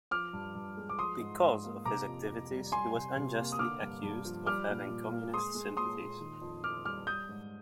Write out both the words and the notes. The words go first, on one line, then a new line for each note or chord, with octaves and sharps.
Because of his activities, he was unjustly accused of having communist sympathies.
F3 D6 F6
G2
G2
G#3
D6
F3 C6 D#6
G#2
G#2
A#3
C3 A#5 D6
F2
F2
G3
G3 G#5 C6
C3
C3
A#3
D#6
D3 D6 F6
G2
G2
F3
G3 D6 F6
A#2
A#2
A#3
G#3 C6 D#6
G#3
A#2 C6 D#6
A#2
D#3
F2
F2 D6 F6
G3 D6 F6
G3 D#6 G6
G#2